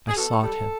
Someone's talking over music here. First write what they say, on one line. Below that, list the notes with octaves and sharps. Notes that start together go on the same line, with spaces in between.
I sought him.
G#4
B2 A4
G3